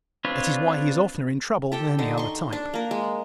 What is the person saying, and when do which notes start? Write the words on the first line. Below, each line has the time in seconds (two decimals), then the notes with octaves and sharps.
That is why he is oftener in trouble than any other type.
0.25 C4 D4 F4 B4 C#5
1.72 G4 A4 G5
1.99 D3 D#4
2.17 C6 C#6
2.53 D4
2.74 A#3 A#4
2.91 G#3